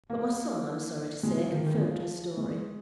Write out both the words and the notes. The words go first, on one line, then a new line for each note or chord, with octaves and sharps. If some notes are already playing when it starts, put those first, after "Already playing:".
But my son, I am sorry to say, confirmed her story.
A#3
G#3
F3
D#3
D#3
G#3
F3
G#3